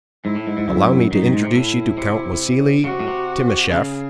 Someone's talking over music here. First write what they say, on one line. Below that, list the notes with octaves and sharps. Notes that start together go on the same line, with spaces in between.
"Allow me to introduce you to Count Wassili Timascheff."
G#2 E4
A2
G#2
G#2
F#2
F#2 D#4
F#2
G#2
C3
A2 E4
C3
C#3 F#4
C3
A2
C3
C#3 G#4